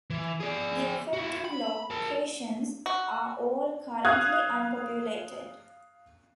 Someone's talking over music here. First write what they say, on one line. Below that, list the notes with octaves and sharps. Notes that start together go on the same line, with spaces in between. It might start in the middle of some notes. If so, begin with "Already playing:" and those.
The affected locations are all currently unpopulated.
E3
G#4 D5
E4 F#4
B5
A#4 A5
F#4
F5 D#6 F#6 G#6